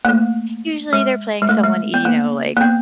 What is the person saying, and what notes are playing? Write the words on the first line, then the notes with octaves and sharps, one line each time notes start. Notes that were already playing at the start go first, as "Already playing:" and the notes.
usually, they're playing someone, y you know, like,
A#3
A3
G#3
G#3
A3
G#3
B3
A#3
A#3
B3